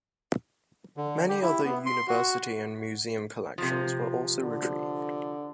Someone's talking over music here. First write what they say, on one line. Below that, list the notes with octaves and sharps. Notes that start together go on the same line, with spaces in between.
Many other university and museum collections were also retrieved.
D3
G4
E4
B3
C6
F#4
C3 F3
D3